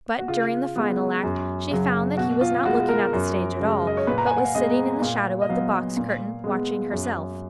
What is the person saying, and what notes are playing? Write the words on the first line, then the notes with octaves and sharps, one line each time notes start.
But during the final act she found that he was not looking at the stage at all; but was sitting in the shadow of the box-curtain watching herself.
F#4
C#3 F4
G#3 B3
F#2
C#3 F#3
B2 F#4
F4
G#3 B3 F#4
A#4
F#2
C#3 G#3
D#5
C#5
A#2 B4
A#5
G#5
F#5
F5
G#3 B3 D#5
A#2 F5
D#5
F#3 B3 F5
A#2
G#3 B3
F#2